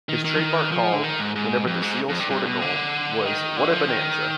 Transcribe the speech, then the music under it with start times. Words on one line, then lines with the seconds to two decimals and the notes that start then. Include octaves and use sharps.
His trademark call, whenever the Seals scored a goal, was What a bonanza!
0.09 D#3
0.25 D#3
0.35 F3
0.40 D#3
0.72 F3
0.93 D3
1.03 D#3
1.19 G#2
1.35 G#2
1.67 F2
1.82 G#2
2.09 F2
2.19 G2
2.30 G2
2.46 B2
2.62 D3
3.25 D#3
3.57 D3
3.73 F3
3.89 D#3